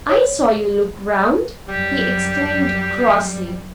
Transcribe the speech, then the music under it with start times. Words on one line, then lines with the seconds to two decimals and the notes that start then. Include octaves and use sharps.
'I saw you look round!' he exclaimed crossly.
0.09 C#5
1.69 F#2 G3 G4